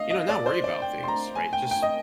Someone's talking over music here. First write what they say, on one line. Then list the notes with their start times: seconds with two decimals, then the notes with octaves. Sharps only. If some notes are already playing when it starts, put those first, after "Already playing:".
you know, not worry about things, right? Just
Already playing: D#5 F5
0.10 D#5
0.29 D5
0.46 C5
0.64 D5
0.82 G5
1.04 C6
1.08 A#5
1.35 G#5
1.53 G5
1.71 G5
1.82 D#5